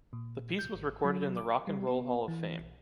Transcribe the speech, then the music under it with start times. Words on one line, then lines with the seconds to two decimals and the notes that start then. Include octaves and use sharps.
The piece was recorded in the Rock and Roll Hall of Fame.
0.13 A#2
0.59 G6
0.74 G#1
1.04 F#3
1.37 D6
1.67 G3
1.87 B3
2.28 E3
2.59 B1